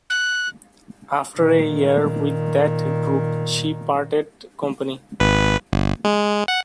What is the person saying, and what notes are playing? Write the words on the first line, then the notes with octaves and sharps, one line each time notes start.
After a year with that group she parted company.
F#6
A#2 D#3
G#1 B4
G1
G#3
F#5